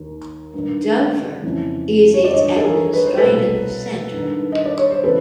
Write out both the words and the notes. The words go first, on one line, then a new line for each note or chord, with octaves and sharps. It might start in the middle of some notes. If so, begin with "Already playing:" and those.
Dover is its administrative centre.
Already playing: D#2 D#3
G2 D#3
F2 C#3 E3
C#5
D5
G2 D#3 C#5 D#5
A4
G#4 A#4
B4
C5
A4 B4
C2 B2
G2 D#3
D#5
D5
C#5
C5
C#3 E3 A4 B4